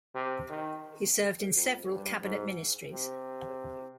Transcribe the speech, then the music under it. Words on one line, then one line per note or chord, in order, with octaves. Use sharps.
He served in several cabinet ministries.
C3
D#3
F2
G2
G#2
C3